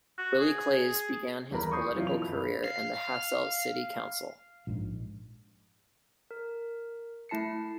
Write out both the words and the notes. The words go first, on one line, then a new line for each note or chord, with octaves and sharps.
Willy Claes began his political career in the Hasselt city council.
F#4
G#4
D#1 E2 E4 A#4 A#5 B5
C#6 D#6 G6 C7
C3 E3 F#3 E4 F4
B2 F7
G1 B5
F5
A#1 G#2
A#4
A3 E4 A5 C7 C#7